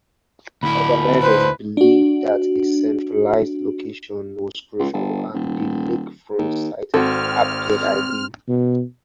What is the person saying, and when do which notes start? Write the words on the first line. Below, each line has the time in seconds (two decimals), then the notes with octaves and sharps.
Organizers believed that a centralized location was crucial, and the lakefront site appeared ideal.
0.63 D2 E4 B5
1.22 B4 C5
1.77 D4 F#4
4.79 C#2
4.93 G1
5.34 D#1
6.38 D#2
6.94 G#1 C4 F#4 A4 F6
8.48 B2